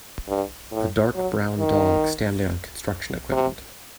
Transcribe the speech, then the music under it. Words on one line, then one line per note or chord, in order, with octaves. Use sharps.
A dark brown dog standing on construction equipment.
G2
A2
F#3
D#3
C3